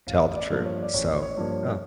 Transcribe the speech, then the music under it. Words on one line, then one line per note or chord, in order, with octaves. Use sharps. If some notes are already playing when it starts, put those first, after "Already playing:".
tell the truth? So, uh,
A1 F5
D5
G2 F3 A#3
C#5
D5
A1 C#5
C#5
G2 F3 A#3
C#5